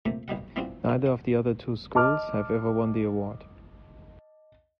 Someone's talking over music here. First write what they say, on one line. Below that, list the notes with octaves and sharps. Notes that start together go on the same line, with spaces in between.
Neither of the other two schools have ever won the award.
C3 F3 A3 A#3
B1 B2 G3 F#5
E3 B3 C4 D4 F4 F#4
D3
F#5
D#5 A5 D6 F6